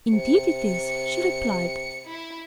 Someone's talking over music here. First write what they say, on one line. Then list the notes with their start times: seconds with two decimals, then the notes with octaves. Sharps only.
"Indeed it is," she replied.
0.12 C3 C#7
2.07 E4